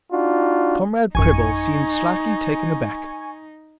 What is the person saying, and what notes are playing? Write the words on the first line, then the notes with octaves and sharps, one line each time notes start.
Comrade Prebble seemed slightly taken aback.
D4 D#4 F4 F#4
A1 F#2 D#4 G#5 C#6